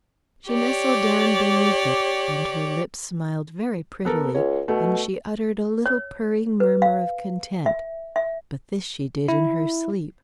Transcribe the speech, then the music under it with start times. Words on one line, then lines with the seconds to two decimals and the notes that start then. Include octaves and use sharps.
She nestled down beneath it and her lips smiled very prettily, and she uttered a little purring murmur of content; but this she did in her sleep.
0.48 G4 C#5 D5
4.05 B3 A4 A#4
4.34 C#2 C#5
4.68 B2 A3
5.86 C#5
6.60 B4
6.82 F5
7.66 E5
8.16 E5
9.28 E4